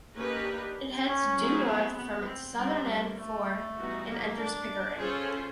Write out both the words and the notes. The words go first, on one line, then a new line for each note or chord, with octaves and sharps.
It heads due north from its southern end for and enters Pickering.
A#3 C#4 D#4 G4 B4
D4
C#4
F#3 A3 C4 E4 G#4
B3
B3
C4
G3 B3 C4 D4
A#3
A3
E3 G3 B3 D#4 F#4
A#3
D4
C#4 F4 G#4 A4 C5